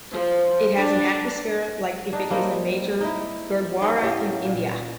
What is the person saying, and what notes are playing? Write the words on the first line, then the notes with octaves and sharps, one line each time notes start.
It has an atmosphere like if it is a major Gurdwara in India.
F3
D4
D4 D#4
G3 A#3 C4 D#4
D#4 E4
B3 C#4 D#4 G#4
A2 G4 F5
A#2